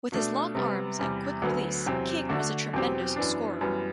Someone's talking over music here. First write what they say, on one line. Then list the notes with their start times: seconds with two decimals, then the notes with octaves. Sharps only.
With his long arms and quick release, King was a tremendous scorer.
0.12 B2 A3 D4
0.55 C3 G3 B3
0.99 E2 C3 G3
1.42 D2 D3 F#3 B3
1.86 E2 C3 F#3 C4 G4
2.29 D3 A3 D4 F#4
2.73 E2 B2 F#3 C4 G4
3.16 F#2 E3 B3 D4
3.61 F#2 E3 G3 B3